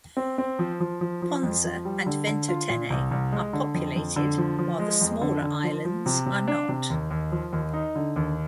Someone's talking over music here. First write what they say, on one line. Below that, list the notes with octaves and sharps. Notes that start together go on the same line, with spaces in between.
Ponza and Ventotene are populated, while the smaller islands are not.
C4
C4
F3
F3
F3
F3
F2
F3
G3
D3
D3
F4
A#2
C2
C2
G#3
D3
F2
F2
D3
F3
F3
G#3
F2
D3
D3
F3
F3
C3
C3
D4
C3
D#2
D#2
F3
D#2
D#4
D3
D#2